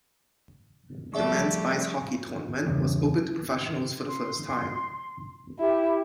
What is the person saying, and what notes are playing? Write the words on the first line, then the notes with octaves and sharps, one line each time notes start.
The men's ice hockey tournament was opened to professionals for the first time.
F3 G3 A3 G#4 D5 E5 C#6
E2 G2 C#3
C6
E4 G4